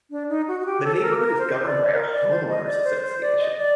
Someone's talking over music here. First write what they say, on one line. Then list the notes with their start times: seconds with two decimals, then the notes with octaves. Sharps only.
The neighborhood is governed by a homeowners association.
0.11 D4
0.29 D#4
0.48 F#4
0.60 F#4
0.66 G4
0.84 A4
0.96 A4
1.02 A#4
1.20 A#4
1.38 C5
1.66 D5
1.93 A#4
2.12 D5
2.30 C5
2.49 D#5
2.66 D5
2.84 C5
3.02 C5
3.21 D5
3.40 D#5
3.58 D5